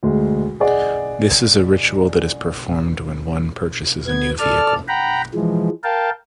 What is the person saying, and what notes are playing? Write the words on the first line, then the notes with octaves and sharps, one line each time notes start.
This is a ritual that is performed when one purchases a new vehicle.
D2 G#3
G#4 D5 D#5 F#5
B3 G#6
A4 D5 A5 F6
F#5 G5 A#5 B5
E3 F3 G#3
A#4 F5 G5 A5